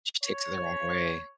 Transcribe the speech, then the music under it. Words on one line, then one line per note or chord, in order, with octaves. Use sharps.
She takes it the wrong way.
C#5